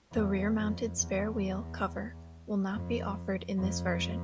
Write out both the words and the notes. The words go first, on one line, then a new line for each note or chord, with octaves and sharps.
The rear-mounted spare wheel cover will not be offered in this version.
E2
F2
E2
F2
F2